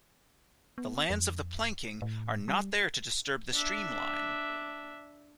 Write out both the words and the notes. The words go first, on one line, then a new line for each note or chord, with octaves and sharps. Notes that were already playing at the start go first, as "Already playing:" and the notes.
The lands of the planking are not there to disturb the stream line.
B3
F2
A2
G3
D4 E5